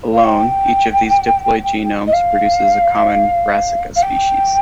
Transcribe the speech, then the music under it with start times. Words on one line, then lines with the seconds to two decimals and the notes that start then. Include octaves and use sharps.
Alone, each of these diploid genomes produces a common "Brassica" species.
0.13 F5
0.25 G5
2.07 D#5
2.13 F5
3.96 F5
4.02 G5